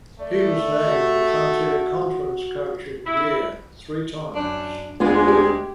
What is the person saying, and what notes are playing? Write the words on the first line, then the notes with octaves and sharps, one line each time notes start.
He was named the Frontier Conference Coach of the Year three times.
A3 D5
F#4
E4
F#2 D4
D2 G#3 B3 D4 F4 G#4 G#5
G4